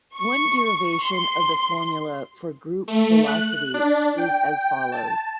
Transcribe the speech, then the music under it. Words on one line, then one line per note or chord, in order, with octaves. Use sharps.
One derivation of the formula for group velocity is as follows.
C#6
C6
A3
F#6
D4
G5
A5